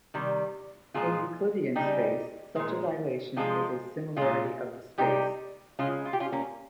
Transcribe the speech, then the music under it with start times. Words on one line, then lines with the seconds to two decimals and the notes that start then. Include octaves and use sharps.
In Euclidean space, such a dilation is a similarity of the space.
0.14 C3 D#3 G3
0.94 A#2 F3 G#3 F4 G#4
1.75 C#3 G3 D#4 G4
2.56 A#2 G#3
3.36 C3 F3 G#3 F4 G#4
4.16 A#2 G#3 F4 G#4
4.98 C3 G3 D#4 G4
5.79 C#3 G#3 C#4 F4
6.05 F4
6.13 G4
6.20 C#4 F4
6.32 A#3 C#4